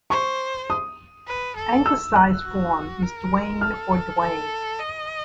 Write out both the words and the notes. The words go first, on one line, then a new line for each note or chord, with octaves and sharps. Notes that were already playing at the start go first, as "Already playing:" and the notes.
Anglicized form is Dwane or Duane.
C5 C#6
D#6
B4
A4
E6
F#6
F#4
A#4
A4 F6
A4
D#5